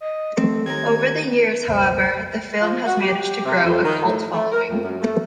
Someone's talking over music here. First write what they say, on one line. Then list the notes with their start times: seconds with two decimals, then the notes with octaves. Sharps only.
Over the years however, the film has managed to grow a cult following.
0.01 D#5
0.38 A3 C4
0.66 D#2 A#4 G#6
1.68 B1 F2 C#3 C5
2.60 F3
2.86 F#4
3.02 G4
3.45 C3
3.64 F2
3.84 D#3
4.04 A2
4.33 A3
4.51 A#4
4.70 F2
4.82 F#2
5.02 A3